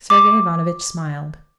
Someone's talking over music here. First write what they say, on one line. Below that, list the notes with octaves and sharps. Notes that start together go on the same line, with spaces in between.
Sergey Ivanovitch smiled.
D6